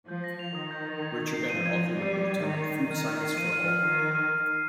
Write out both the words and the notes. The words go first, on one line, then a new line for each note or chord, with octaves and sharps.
Bircher Benner authored a book titled ""Food Science for All"".
F3 G6
A#6
F7
D#3 D#6
G6
A#6
G#6
G#6
C7
F3 D#7
G#6
G#6
G3 C7
D#7
G#6
D#3 G#6
C7
D#7
D#3 F6
F6
C7
F3 D#7
F6
F6
D#3 C7
D#7
F6
F6
C7